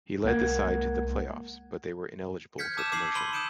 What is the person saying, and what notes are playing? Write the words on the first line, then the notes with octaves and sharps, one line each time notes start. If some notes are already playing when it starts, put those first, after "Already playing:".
He led the side to the playoffs, but they were ineligible for promotion.
C2 G#3 A#3 A#4 F#5 G#6
F6 G6 G#6 B6 C#7
A5 D6 E6 D#7 E7
D6 E6 G#6 C7 F#7
B5 C6 D#7 F#7 G7
D#6 E6 G6 C#7 D7 E7